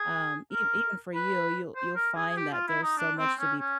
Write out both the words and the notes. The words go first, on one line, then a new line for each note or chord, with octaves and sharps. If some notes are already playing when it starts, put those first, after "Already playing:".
um, ev even for you, you'll you'll find that there's so much to be
Already playing: G#4
A#4
B4
C5
A#4
G#4
G#4
G4
F4
E4
D#4
D4
C4
C#4
C#4